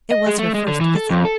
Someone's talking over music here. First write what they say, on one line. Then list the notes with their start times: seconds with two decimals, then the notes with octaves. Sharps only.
It was her first visit.
0.11 D#5
0.26 G#3
0.39 A3
0.54 G#3
0.68 D3
0.81 E3
0.96 A4
1.10 F2
1.25 A4